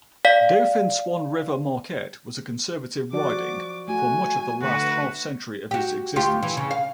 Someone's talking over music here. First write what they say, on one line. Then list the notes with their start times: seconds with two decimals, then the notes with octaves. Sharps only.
Dauphin-Swan-River-Marquette was a conservative riding for much of the last half-century of its existence.
0.25 D5 F5 B6
3.13 F3 F#4 D5 D6
3.88 A3 F#4 G#5
4.62 D3 A3 F#4 B4
5.71 F#4 G4
6.16 D2 F4 G4
6.43 E3
6.57 C#3
6.71 F5